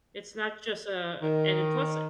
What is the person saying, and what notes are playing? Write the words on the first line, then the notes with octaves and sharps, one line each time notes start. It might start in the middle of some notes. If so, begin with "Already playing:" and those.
It's not just a and then plus
D#3